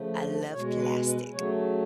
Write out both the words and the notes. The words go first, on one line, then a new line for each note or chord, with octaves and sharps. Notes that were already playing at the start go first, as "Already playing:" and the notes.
I love plastic.
Already playing: C#3 F3 A3
B2 G#3 C#5
B4
B4
C#3 F#3 A3 C#5